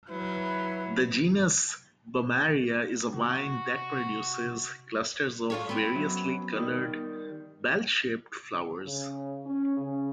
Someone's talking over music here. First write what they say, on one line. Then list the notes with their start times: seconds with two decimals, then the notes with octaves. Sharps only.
The genus "Bomarea" is a vine that produces clusters of variously-colored, bell-shaped flowers.
0.10 F#3 E4 B4
3.14 C3 F#4
5.50 F4 A4 C#5
5.69 B3 C4
5.96 F#2 F#3
6.53 D#3 G3
8.84 C#3
9.45 C#4
9.76 C#3